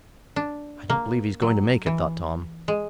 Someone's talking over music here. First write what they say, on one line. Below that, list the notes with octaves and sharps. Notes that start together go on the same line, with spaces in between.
"I don't believe he's going to make it," thought Tom.
D4
A#3
F#3
E3
G#3